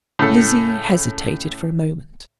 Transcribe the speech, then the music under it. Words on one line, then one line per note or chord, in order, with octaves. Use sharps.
Lizzie hesitated for a moment.
A2 C#3 A4